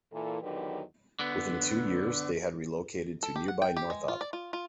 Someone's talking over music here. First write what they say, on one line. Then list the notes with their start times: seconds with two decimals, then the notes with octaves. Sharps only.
Within two years they had relocated to nearby Northop.
0.12 A#2 E3 A4
0.43 E2 D3 D#3 F#3 G4 B4
1.19 D3 B3
3.23 A4
3.36 G4
3.48 F#5
3.62 G5
3.77 G4
3.90 G#3
4.08 F4
4.21 D5
4.33 F4
4.53 F4